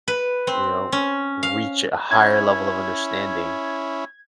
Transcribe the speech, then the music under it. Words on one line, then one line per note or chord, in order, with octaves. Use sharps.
you know, reach a higher level of understanding
B4
C4
C#4
F5
C#4 E4 G#6